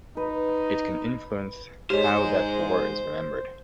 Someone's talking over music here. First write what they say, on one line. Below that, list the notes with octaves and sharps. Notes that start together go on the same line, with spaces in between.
It can influence how that war is remembered.
D#4 B4
G#2 G#3 G4 C5 C#5